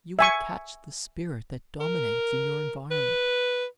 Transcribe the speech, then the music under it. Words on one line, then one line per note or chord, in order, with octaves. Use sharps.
You will catch the spirit that dominates in your environment.
E5 G#5 C#6
A#4
B4